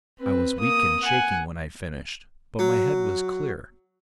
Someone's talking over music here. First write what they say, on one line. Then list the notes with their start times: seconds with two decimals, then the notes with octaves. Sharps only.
I was weak and shaking when I finished, but my head was clear.
0.19 C4 B4
0.59 A#3 D#6
1.03 F#5 G#5
2.59 F#3